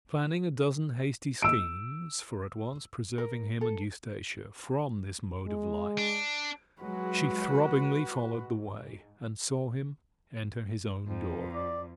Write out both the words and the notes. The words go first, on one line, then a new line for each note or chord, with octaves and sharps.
Planning a dozen hasty schemes for at once preserving him and Eustacia from this mode of life, she throbbingly followed the way, and saw him enter his own door.
E6 D7
A#4
A4
G#3
D4
F#3 G#3 F#4 B4
G#2
F2
D5